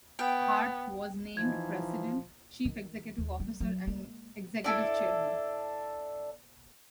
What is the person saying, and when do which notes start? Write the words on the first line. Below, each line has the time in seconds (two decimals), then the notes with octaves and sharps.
Hart was named president, chief executive officer and executive chairman.
0.19 B3 G5
1.37 E3 F3 D#4 G#6
2.65 D#3 E3
3.18 D#2
3.40 G3
3.60 F#3
3.87 G#3 A#3
4.64 D4 E4 A4